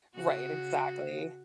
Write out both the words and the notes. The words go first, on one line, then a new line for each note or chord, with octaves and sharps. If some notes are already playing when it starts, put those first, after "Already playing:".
right, exactly.
C#3 F#4